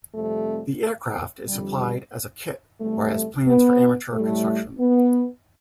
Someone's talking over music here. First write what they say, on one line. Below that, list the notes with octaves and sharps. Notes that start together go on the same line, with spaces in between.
The aircraft is supplied as a kit or as plans for amateur construction.
F2 C3 G3 A3
F2 D3 G3
E2 C3 G3 A3
B3
A2 G3 A3
B3